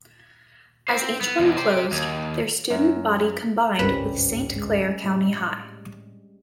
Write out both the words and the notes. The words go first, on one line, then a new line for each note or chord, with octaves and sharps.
As each one closed, their student body combined with Saint Clair County High.
C4 C5
B3
E2 B2
G4 C5
D#2
F#2
G#1 C#2 G2 G3 C4 C#4 B4
G#3
A2 G3